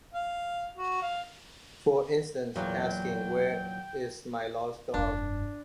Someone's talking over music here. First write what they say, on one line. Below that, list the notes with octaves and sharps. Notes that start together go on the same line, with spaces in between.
For instance, asking Where is my lost dog?
F5
F#4
F5
E2 A#2 F#3 A#3 G5
F1 G2 D4